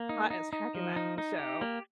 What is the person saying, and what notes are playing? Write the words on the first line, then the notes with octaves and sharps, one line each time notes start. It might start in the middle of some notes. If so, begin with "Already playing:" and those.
hot as heck in that show,
Already playing: A#3
D#4
D#4
D#4
F3
D#4
D#4
G4
A#3